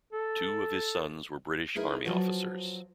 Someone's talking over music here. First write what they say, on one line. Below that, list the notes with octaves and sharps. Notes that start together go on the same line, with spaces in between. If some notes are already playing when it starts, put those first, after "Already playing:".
Two of his sons were British Army officers.
A4
D#4 E4 G#4 A#4 B4
F3 F#3 F4 F#4 B4 C#5